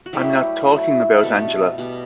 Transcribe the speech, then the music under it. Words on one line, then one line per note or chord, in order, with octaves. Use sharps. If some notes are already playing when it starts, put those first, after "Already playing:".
I'm not talking about Angela.
F#4
F#3 G3 A3 E4 G4
F#3 A3 E4
B4
B2 G3 A3 B3 A4
B2 G3 B3